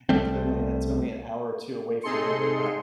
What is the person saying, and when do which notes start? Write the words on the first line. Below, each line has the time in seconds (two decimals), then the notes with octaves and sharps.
It's only it's only an hour or two away from me, but, uh,
0.09 C2 G3 A3 C4
2.03 C3 D#4 G#4 A4 C6 C#7